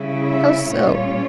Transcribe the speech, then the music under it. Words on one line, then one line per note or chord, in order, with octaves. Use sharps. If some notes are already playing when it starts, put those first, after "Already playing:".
"How so?"
Already playing: C#3 G3 C#4 E4
E5
A#2 G3 C#4 F4 C#5